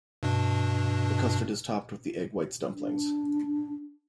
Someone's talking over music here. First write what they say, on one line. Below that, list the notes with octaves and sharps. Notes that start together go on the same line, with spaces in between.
The custard is topped with the egg whites dumplings.
G2 B2 D4
D4